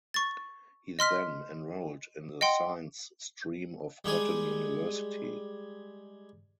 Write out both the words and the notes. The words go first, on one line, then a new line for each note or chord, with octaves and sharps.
He then enrolled in the science stream of Cotton University.
C#6 A6
D#5 C6 F6 B6
D#5 F#5 G5 C6
G3 G#3 G#4 D#6